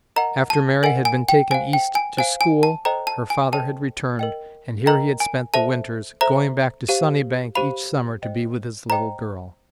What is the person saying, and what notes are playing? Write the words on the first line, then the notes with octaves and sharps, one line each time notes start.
After Mary had been taken East to school, her father had returned, and here he had spent the winters, going back to Sunnybank each summer to be with his little girl.
A#4 D#5 F#5 A#5
A5
A#4 D#5 F#5 G#5
G#5
G5
C5 F5 G#5
G5
G#5
C5 F5 G#5
G#5
A5
A4 C5 D#5 G5 A#5
A5
G#5
A4 C5 D#5 G5 A5
A#4 D#5 G5
A#4 D#5 G5 A#5
G#5
A4 C5 E5 A5
A4 C5 E5 A#5
G4 C5 F5
G4 C5 F5 B5
C5 D#5 G5
C5 D#5 G5 A#5